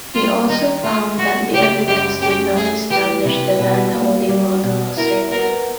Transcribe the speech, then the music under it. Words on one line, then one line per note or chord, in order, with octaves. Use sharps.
He also found that the evidence did not establish the landholding model asserted.
G3 F4
D#3 D#4
A3 F4
F#3 F#4
C#3 G4
F#2 G4
C#4 G4
A3 G#4
E3 G4
C3 B4
B2
A#3
G3
B2
E4 A#4
B3 A#4